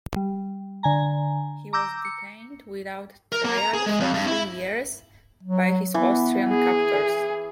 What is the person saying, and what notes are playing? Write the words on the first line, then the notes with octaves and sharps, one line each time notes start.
He was detained without trial for three years by his Austrian captors.
G3
D3 G#5 A#5
A#5 D6 E6 G6 A#6
C#7
A#4
A#3
A#5
G#4
G#3
F2
G2
E4
F#3
E3 B3
G#4